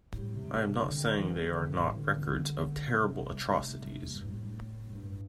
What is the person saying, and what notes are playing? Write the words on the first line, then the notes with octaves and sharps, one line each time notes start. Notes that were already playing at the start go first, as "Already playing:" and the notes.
I am not saying they are not records of terrible atrocities.
A2
C3
C3
D3
E3
D3
A2
D3
D3
C3
E2
G2
A2
G2